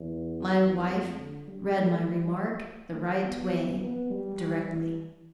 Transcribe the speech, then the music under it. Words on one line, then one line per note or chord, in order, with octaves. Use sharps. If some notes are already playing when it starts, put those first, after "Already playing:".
My wife read my remark the right way directly.
Already playing: E2
E2
F2
D3
G3
A3
G3
A3
B3
B3
G3
E3